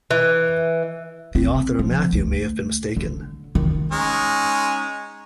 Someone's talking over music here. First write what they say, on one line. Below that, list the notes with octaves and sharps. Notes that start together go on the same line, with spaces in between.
The author of Matthew may have been mistaken.
E3
C4
F3
D2
D3
D#3
G#3 C#4 D#4